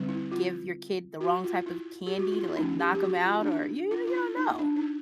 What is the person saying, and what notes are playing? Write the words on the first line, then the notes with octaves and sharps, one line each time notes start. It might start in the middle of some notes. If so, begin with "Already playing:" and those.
give your kid the wrong type of candy to, like, knock 'em out or you you don't know.
Already playing: D3 G3 C4
E4
F4
F#4
F4
E4
G4
F#4
F4
E4
F3 A3 C#4 D#4
G4
G4
F#4
F4
D4
D#4
F4
F4
E4
D#4
D4
D#4